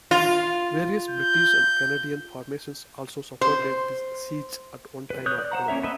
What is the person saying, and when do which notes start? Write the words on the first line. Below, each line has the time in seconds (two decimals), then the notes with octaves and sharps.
Various British and Canadian formations also supported the siege at one time or another.
0.11 F4
1.10 G6
3.41 C5
5.10 B4
5.26 C#5 D#6 F#6 G6
5.38 D5
5.52 C5 F#5 A#5
5.68 A#3 C#4 C#5 E5
5.83 A4 B4 D#5 E5